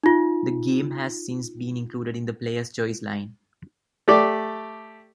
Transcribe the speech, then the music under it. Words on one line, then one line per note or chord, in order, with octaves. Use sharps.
The game has since been included in the Player's Choice line.
D#4 F4
A3 G4 D5